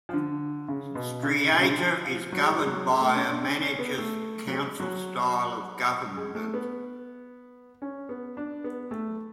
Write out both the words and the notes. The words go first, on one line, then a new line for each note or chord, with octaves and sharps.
Streator is governed by a Manager-council style of government.
F3
D3
C#3
B2
C#3
B2
C#3
D3
F3
F3
F#3
G#3
F#3
G#3
F#3
G#3
A3
C#4
D4
C#4
C#4
B3
A3
F#3
G#3
F#3
G#3
A3
B3
C#4
B3
D4
B3
A3